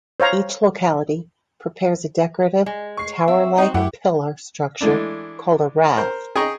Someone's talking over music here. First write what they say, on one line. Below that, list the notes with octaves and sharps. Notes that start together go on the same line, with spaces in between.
Each locality prepares a decorative tower-like pillar structure called a 'rath'.
C5 C#5 F5 A#5
G#3
C#6 C7
C4 E5
C4 D#4 F#4
F#2 A3 E4 G4 F#5
E3 G#3 A3 D4
A#4 C5
G#4 D#5 G5 A#5 C#6